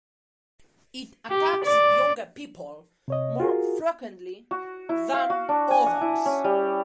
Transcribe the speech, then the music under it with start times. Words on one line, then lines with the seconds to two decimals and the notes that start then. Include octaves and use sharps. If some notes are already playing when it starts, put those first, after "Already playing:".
It attacks younger people more frequently than others.
1.30 G4
1.65 D5
3.08 C3 C#5 D#5
3.40 F4 F#4 G#4 A#4
4.51 F#4
4.89 E4
5.14 F5
5.30 F#4
5.49 D4
5.71 G#5
5.86 F#5
6.01 E4
6.26 C#4
6.44 G3